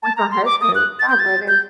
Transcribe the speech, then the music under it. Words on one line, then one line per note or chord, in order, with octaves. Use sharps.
with my husband, I love him,
A5
A#5
C6
D6
D#6
F#6
A6
G6
A6
G6